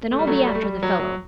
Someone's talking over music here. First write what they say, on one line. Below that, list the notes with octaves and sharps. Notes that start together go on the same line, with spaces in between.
"Then I'll be after the fellow."
A3
G3
F#3 A3
G3
A3
G3
F#3
F#3